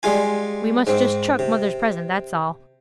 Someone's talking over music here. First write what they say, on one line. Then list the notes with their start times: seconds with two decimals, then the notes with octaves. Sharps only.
We must just chuck mother's present, that's all.
0.03 G3 G#3 F4 G#5
0.87 G#2 C4
1.39 C3